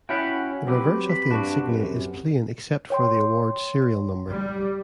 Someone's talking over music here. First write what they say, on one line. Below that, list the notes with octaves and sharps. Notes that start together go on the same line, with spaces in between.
The reverse of the insignia is plain except for the award serial number.
C#4 E4 F#4 F#5 G5 B5
F#3 C4 G4 B4
B5
G2 D4 F#4
F#2
C#5 G5 C6
G3